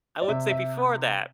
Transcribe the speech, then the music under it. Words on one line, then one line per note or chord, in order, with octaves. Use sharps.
I would say before that,
D5
C3 E5
E5